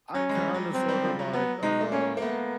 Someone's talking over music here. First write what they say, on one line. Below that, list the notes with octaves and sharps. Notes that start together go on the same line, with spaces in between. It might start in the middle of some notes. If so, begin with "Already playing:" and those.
I kinda sorta like, uh
F#3 C#4
G#3
G3
G3
F#3
F#3 C4
G3
F3
F#3
F#3 B3
G#3 D#4
A3
A#3 C#4
A#3
A3 B3